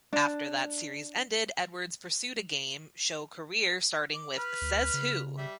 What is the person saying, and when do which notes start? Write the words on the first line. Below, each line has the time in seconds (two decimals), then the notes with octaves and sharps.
After that series ended, Edwards pursued a game show career, starting with Says Who?
0.13 D4
4.15 D6
4.38 B4 F6
4.62 D2
4.94 C#3
5.38 G3 E5